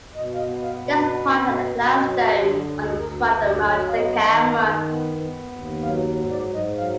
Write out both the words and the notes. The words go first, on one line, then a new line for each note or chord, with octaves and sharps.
This pod had a glass dome on the front and mounted a camera.
B2 D#5
F5
D#5
B3
F5
B2
B4
B3
B2
B2
F#3
D3
D2
D2 A#4
B4
D2
D5
F#3
F5
B3 D#5
D#3
D#3
B3
B3
D#2
F#3 F5
G#2
D5
G#2
D#5
F#3 F5